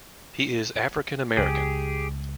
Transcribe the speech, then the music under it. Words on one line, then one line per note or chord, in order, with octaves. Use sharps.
He is African-American.
C#2 G4 G#4